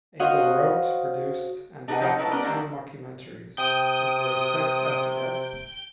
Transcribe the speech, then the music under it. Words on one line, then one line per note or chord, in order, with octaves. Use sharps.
Abel wrote, produced, and directed two mockumentaries - Is There Sex After Death?
F#4 C5 C#5 D#5 F5 F#5
D4 D#4 G#4 B4 D#5 F#5
F3 D#4 G4 A4 D#5 F#5
D#4 E4 B4 C#5 F#5 A5
G3 B3 C#4 D4 A#4 B4
D3 D#3 F#3 G3 A3 A#3
C3 G5 D#6